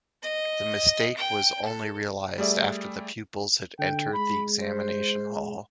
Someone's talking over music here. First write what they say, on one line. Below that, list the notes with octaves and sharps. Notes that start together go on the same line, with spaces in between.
The mistake was only realised after the pupils had entered the examination hall.
D#5
G5
A4
G3 A3 G#4 D5 E5
D3 G5
G#3 B5
C5